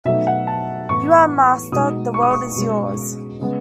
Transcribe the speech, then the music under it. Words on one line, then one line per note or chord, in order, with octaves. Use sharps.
You are Master, the world is yours.
B2 F#3 A3 D#4 E5
F#5
A5
A2 E3 B3 C#6
B2 G#3 B3 D#4 D#6
C#6
D#6
C#6
B2 G#3 C#4
C#3 G#3 B3